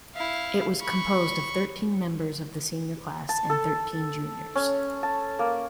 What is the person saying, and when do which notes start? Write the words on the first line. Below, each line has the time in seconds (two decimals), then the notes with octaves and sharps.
It was composed of thirteen members of the senior class and thirteen juniors.
0.15 E4 F5
0.81 B5 C#6
3.29 A5
3.50 A4
4.55 C#4
5.03 A5
5.39 A#3